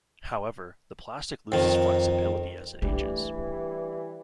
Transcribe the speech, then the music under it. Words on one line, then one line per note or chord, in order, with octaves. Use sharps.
However, the plastic loses flexibility as it ages.
F2 D#3
E3 G3 A3 D4
G3